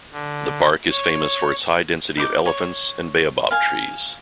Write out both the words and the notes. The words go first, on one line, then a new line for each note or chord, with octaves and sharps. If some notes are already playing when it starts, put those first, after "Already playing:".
The park is famous for its high density of elephants and baobab trees.
D3
C#5
D#4 D6
C#5
F5 G#5